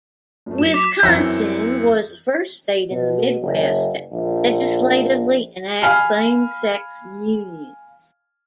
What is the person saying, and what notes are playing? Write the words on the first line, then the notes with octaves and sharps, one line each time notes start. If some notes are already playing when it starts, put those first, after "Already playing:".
Wisconsin was the first state in the Midwest to legislatively enact same-sex unions.
F#2 A3
F#3 E7
D6 B6
F#2 E3 C4 A#5 E6 G6
B2
F#1
A#1
F5 G#5 B5 F6